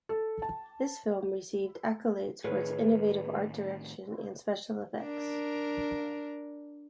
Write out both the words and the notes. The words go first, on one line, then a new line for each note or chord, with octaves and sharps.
This film received accolades for its innovative art direction and special effects.
A4
A5
A2 D#3 G#4 B4 C#5
D4 A#4